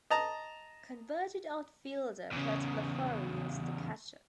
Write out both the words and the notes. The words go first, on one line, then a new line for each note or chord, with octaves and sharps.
Converted outfielder Curt Blefary was the catcher.
D#5 A5 A#5
E2 C#3